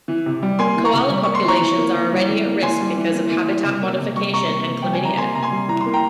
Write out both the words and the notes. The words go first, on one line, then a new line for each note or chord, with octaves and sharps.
Koala populations are already at risk because of habitat modification and chlamydia.
E3
C3
G3
A#3 G#5 C6
E3
A#5 C#6
C3
G3
A#3 C#6
C6
E3 A#5 C#6
E3
A#3
E3
G3
E3
A#3
E3 G#5 C6
G3
E3
A#3
E3
G3
C3
A#3
C3
G3 C#6
C3 A#5 C#6
A#3
C3
G3 G5
G#5
C3 A#5
A#3 G#5 C6
C3 A#5
G#5 C6
G3
E3 A#5
C6
A#3
G5 A#5